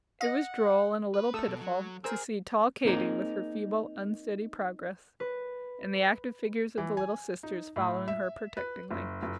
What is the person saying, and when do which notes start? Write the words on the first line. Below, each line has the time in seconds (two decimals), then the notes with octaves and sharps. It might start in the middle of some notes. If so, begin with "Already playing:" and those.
It was droll, and a little pitiful, to see tall Katy with her feeble, unsteady progress, and the active figures of the little sisters following her protectingly.
0.21 D#5 F#5
1.14 B4
1.34 A3 A4 D#6 E6
1.47 B2
1.61 F#3
2.04 G#4 A#4 C5 E6
2.86 A#3 C4 D#4 G#4 A#4
5.20 B4
6.78 E3
6.97 G#5
7.43 D#4
7.76 A2
8.08 E5
8.57 B4
8.90 F#1
9.22 F#1